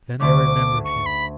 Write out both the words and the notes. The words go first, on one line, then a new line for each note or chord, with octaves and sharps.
Then I remembered him.
D2 D3 A3 C#4 D6
C#6
B5